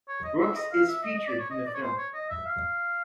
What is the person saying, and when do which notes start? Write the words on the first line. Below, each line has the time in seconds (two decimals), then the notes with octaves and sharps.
Brooks is featured in the film.
0.08 C#5
0.24 D#5
0.40 E5
0.56 D#5
0.72 F5
0.88 E5
1.03 D#5
1.15 D#5
1.27 D5
1.39 C#5
1.51 D#5
1.66 D5
1.74 C#5
1.82 C5
1.97 C#5
2.14 D#5
2.30 E5
2.46 F5